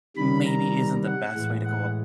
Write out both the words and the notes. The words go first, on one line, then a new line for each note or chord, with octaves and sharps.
maybe isn't the best way to go
C3 D#3 G3 B5
A#5
F#5
A2 E3 G#3
F#5